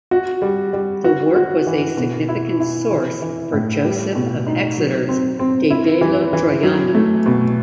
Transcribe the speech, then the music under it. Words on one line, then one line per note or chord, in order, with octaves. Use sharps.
The work was a significant source for Joseph of Exeter's "De bello Troiano".
F#4
G3
G3
F#4
F#4
E3
B2
E4
E4
E3
E3
A2
G3
B2
D#4
F#3
C4
C4
E4
E3
E3
F#3
A3
B2